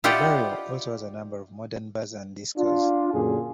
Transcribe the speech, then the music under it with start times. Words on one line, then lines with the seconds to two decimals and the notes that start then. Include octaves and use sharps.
The "barrio" also has a number of modern bars and discos.
0.04 E4 F4 G4 D5 D#5 F#5
2.56 D4 F4
3.13 F#2 A#2 D3 G#4